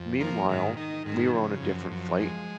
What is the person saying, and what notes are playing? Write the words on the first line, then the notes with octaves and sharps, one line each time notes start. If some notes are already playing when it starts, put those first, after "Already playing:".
Meanwhile, we were on a different flight.
Already playing: F2
F3 A#3
G#2 D#3
D#3 D#4
G#2 D#3
C#3 F3
F#2
F#2
G#3